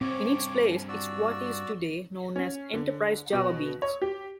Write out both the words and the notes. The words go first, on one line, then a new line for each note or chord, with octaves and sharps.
In its place is what is today known as Enterprise JavaBeans.
G2 C4 C#4 C#5 D6
F#4 D5 E6
C#4
D3
B2
C#5
G4